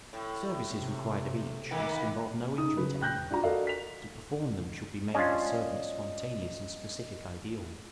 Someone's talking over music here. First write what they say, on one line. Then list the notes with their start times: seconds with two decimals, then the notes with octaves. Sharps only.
The services required of each must involve no injury to any; to perform them should be made the servant's spontaneous and specific ideal.
0.13 A2
0.78 C3
1.71 D#3 A#3 B3
2.58 D#4 D#6
2.77 C#3 F#3 B4
3.01 G5 F#6 G6 A#6
3.31 D4 F4 F#4 A#5
3.43 F#4 A4 A#4 D5 D#5 F5
3.67 B6 F7
5.15 C#4 D4 F4 D#5